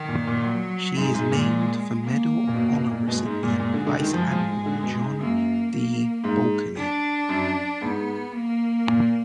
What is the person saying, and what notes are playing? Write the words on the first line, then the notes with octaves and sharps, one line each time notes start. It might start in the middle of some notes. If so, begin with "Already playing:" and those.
She is named for Medal of Honor recipient Vice Admiral John D. Bulkeley.
Already playing: D#3
A#2
A#2
F#3
G#2 G#3
G#2
A#2
A#3
A#2
B2
B2
A#2
B2 G#3
G#2
A#2
A#2
D3
D3
D#3
F3 G#3
F3
D3
B2
G#2
F#2 A#3
A#3
G#2
D4
F#2
G#2 B3
A#3
A#2